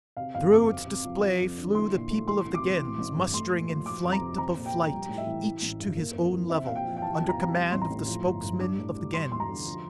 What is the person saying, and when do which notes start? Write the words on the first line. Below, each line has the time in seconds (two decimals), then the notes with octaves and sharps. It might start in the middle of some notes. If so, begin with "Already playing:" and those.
Through its display flew the people of the Gens, mustering in flight above flight, each to his own level, under command of the Spokesmen of the Gens.
0.17 C3 F5
0.34 G1 F5
0.52 F2 D6
0.70 C4
0.87 C3
1.05 F3
1.23 F3
1.40 F2
1.58 D3
1.75 E4 C6
1.93 A#2
2.11 A3
2.28 E3 C6
2.45 C2
2.54 D6
2.63 C3
2.81 E3
2.98 A1
3.16 G2
3.33 A3 C6
3.51 A#2
3.68 F3
3.86 F3 D6
4.04 F2
4.12 A#5
4.22 C3
4.38 C4 A#5
4.56 A#2
4.66 G5
4.74 F3
4.91 G3
5.09 A2
5.18 E5
5.27 E3
5.44 E3
5.62 A1
5.80 G2
5.97 A#3
6.14 F2
6.32 E3
6.49 C4 E5
6.67 A#2 F5
6.76 G5
6.85 F3
6.97 G5
7.02 E3 A5
7.16 E2 A5
7.29 A#5
7.37 C3
7.42 A#5
7.55 G3
7.71 A1 C6
7.82 A#5
7.90 A2
8.08 F3
8.25 G1
8.43 G2
8.60 D4 D6
8.78 A2
8.95 G3
9.13 G3 C6
9.30 E2 C6
9.40 A#5
9.48 D3
9.65 F3